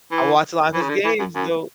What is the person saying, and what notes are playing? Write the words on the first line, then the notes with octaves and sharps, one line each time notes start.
I watched a lot of his games though.
E3
E3
C#3
D3
E3
F#2
F#2